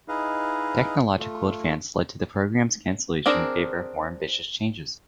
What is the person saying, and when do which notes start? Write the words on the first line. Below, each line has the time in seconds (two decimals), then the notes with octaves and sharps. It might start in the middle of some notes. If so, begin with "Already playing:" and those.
Technological advance led to the program's cancellation in favor of more ambitious changes.
0.08 D#4 E4 G#4 B4 D#5 F5
1.19 A3 F4
3.26 C4 D4 G#4 A#4